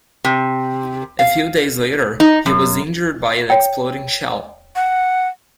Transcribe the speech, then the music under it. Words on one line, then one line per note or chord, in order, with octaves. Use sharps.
A few days later he was injured by an exploding shell.
C3
F5
D#4
F#2
C#5 G5
F#5